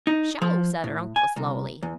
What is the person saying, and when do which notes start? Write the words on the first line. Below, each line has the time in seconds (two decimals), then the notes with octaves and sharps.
"Sho!" said her uncle, slowly.
0.07 D#4
0.42 F3
0.84 A2
1.16 G#5
1.36 C2
1.83 E2